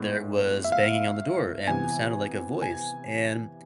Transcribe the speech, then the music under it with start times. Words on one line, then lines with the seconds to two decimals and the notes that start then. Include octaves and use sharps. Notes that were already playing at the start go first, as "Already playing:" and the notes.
there was banging on the door and it sounded like a voice, and
Already playing: A2 G#3 B3
0.64 E5
0.72 F5
1.67 C3 E3 B3 G#5
2.62 G#5